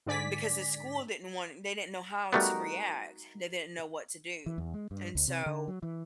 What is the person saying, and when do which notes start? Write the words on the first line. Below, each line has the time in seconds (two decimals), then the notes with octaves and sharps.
because the school didn't want they didn't know how to react, they didn't know what to do, and so
0.06 G#2 D3 D5 G#5 B6
2.33 G3 A3 B3 D#4 F#4 A#4
4.46 E3
4.58 E2
4.74 G#3
4.91 G2
5.15 C#2
5.28 C3
5.46 D3
5.68 F#3
5.83 E3